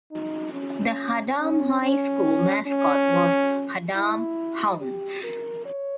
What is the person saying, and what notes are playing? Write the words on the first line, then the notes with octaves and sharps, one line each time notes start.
The Haddam High School mascot was Haddam Hounds.
D#4
C#4
C#4
C#4
C#4
E4
G4
A#4
C#5